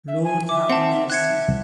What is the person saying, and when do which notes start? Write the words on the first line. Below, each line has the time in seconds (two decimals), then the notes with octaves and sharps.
Lord, have mercy.
0.07 E5
0.23 G#5
0.49 E5 D6
0.69 C4 F#5 A5
1.10 E5 F#6 G#6 C#7
1.48 C2